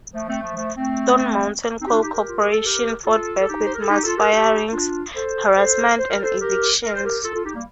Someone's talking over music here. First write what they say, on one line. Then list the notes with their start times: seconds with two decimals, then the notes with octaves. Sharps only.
Stone Mountain Coal Corporation fought back with mass firings, harassment, and evictions.
0.14 F3 A3
0.28 A3 C4
0.42 F3 A3
0.55 F3 A3
0.76 A3 C4
1.81 C4 D#4
1.86 G4
1.91 D4 F4
2.02 D#4 G4
2.12 G4 A#4
2.26 F4
2.39 G4
2.51 A4
2.64 G4 A#4
3.06 F4 A4
3.39 A4
3.48 D#4 G4
3.66 C5
3.74 A#4
3.82 A4
3.89 D#4 G4
4.04 F4 A4
4.17 G4 A#4
4.31 D#4 G4
4.72 D4 F4
5.15 A4 C5
5.56 A4 C5
5.98 C5
6.10 A#4
6.22 A4 C5
6.40 G4 A#4
6.82 A#4
6.93 C5
7.04 G4 A#4
7.23 F4 A4
7.34 F4 A4
7.44 D#4 G4
7.54 G3 A#3